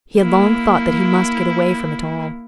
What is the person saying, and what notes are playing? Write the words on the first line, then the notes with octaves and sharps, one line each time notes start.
He had long thought that he must get away from it all.
A#3 E4